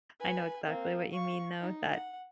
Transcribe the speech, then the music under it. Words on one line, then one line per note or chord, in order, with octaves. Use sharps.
I know exactly what you mean, though, that,
B4 G#5
A#3 C4
F5 C#6
D#4
F#5